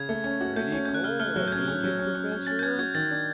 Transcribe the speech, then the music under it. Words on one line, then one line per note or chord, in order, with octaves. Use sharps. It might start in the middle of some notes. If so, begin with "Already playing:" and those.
"Pretty cold, hain't it, Professor?"
Already playing: C#3 G#6
A3
C#4
F#4
A3 G6
C#4
C#4 G6
F#6
C#3 F6
A3 F6
F#3 F#6
G6
C#4 G#6
C#4
F#3
C#4
C#4
C#4
C#4 A6
G6
C#4 G#6
F#4 G#6
D#3 A6
D4